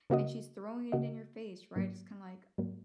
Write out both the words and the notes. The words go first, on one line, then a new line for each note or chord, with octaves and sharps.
and she's throwing it in your face, right, it's kinda like,
C#3 A#3 F#4 D#5
C#3 A#3 F#4 D#5
G#2 F#3 A#3
G#2 F#3 A#3